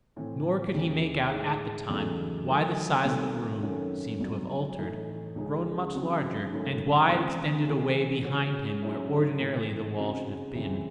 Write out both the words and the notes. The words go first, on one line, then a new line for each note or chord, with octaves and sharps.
Nor could he make out at the time why the size of the room seemed to have altered, grown much larger, and why it extended away behind him where ordinarily the wall should have been.
A2 E3 C4
D#2 C#3 E3
A2 G#3 D#4 G#4
E2 C#3 F#3 A3 D#4
D#3 F#3 A3
C2 C3 D#3 A3 C4
F#2 D#3 A3 C#4 F#4
C2 C3 F#3
A2 E3 A3 D#4
C#2 C#3 G#3 D#4
C#3 F#3 C4 F#4
G#2 D#3 F#3 A3 C#4
C#2 C3 E3
C#3 E3 A3
C#3 G#3 C#4 F#4
G#2 F#3 C#4 E4 G#4
A2 E3 C4
C#3 G#3 C4 D#4 F#4
C#2 C#3 E3 C4 E4